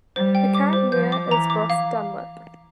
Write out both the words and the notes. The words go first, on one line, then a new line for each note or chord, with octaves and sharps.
The current mayor is Ross Dunlop.
G3 C5
G5
D6
C5
F3 G6
D6
E3 A#5
D6
F5